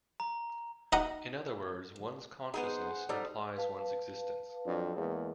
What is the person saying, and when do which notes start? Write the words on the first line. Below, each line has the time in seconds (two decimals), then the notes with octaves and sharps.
In other words, one's consciousness implies one's existence.
0.20 A#5
0.92 D#4 D#5 F#5
2.54 B3 D#4 G#4 A4 C5 F#5
3.09 G3 D#4 A4 C5 D#5
3.56 B4 F5 A5
4.65 F2 F#3 D4
4.95 E2 G#3 A#3